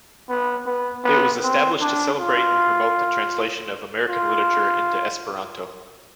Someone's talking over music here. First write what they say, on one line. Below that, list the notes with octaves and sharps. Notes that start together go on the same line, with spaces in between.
It was established to celebrate and promote the translation of American literature into Esperanto.
B3
B3
B3
C4
D4
F4
F4